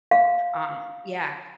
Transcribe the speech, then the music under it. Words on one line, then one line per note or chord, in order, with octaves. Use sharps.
um yeah.
F5